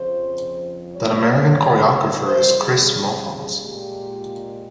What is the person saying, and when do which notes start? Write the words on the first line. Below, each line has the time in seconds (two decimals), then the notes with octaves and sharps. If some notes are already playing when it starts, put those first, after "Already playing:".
That American Choreographer is Kris Mohfanz.
Already playing: F2 C#3 F3 C5
0.95 G#2 D#3 G3 C#5
2.26 F2 C#3 G3 C5
2.60 G#4
3.57 A#2 G#3 G4